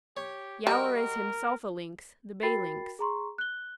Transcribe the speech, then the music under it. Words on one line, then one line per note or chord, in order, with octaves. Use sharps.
Yowler is himself a Lynx, the Bay Lynx.
G4 C#5
G3 F#4 A#4 D#5 G5
A#4
F#4 A#4 G5 B5 A6 C7
G#4 A#5 C6 C#6
F#6 G7